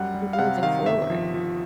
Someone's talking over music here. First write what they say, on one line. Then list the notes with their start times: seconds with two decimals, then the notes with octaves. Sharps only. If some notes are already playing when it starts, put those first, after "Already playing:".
keep moving forward.
Already playing: F#2 G3 F#5
0.14 G3
0.33 F5
0.39 C3 F#5
0.63 D#3 F5
0.86 G1 E5
1.10 F3
1.34 F3